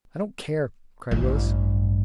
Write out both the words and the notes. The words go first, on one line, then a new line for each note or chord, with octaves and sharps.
"I don't care!" cried Willis.
A1 G2